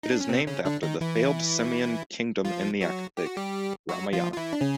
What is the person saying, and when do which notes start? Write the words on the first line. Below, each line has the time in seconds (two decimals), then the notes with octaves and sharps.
It is named after the fabled simian kingdom in the epic - Ramayana.
0.03 D#4
0.12 D4
0.21 C#4
0.29 C3 C4
0.47 C#3 C#4
0.65 D3 D4
0.83 D#3 D#4
1.01 E3 E4
2.45 F3 F4
2.81 F#3 F#4
3.17 G4
3.26 F#4
3.37 G3 G4
3.89 F#3 F#4
4.13 F3 F4
4.32 F4
4.37 E3 E4
4.53 D4
4.61 C#3 C#4